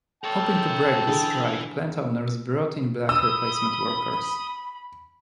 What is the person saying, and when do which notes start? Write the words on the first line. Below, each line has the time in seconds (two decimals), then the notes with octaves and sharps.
Hoping to break the strike plant owners brought in black replacement workers.
0.24 A4 A#4 C#5 G5 A5
1.07 D3 E3 E4 G#4
3.09 B5 D#6 E6